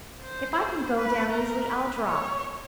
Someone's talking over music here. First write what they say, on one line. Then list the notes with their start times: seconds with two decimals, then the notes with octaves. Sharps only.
If I can go down easily, I'll drop.
0.23 C5
0.96 B4
1.32 A#4
1.68 B4
2.06 C#5